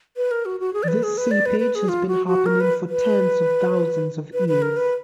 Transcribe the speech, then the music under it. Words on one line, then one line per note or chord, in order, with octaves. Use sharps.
This seepage has been happening for tens of thousands of years.
B4
A#4
F#4
F#4
G#4
D5
B4
G#4
B4
D5
B4
B4
G#4
F4
F#4
F#4
A#4
B4
B4
B4
B4
A#4
B4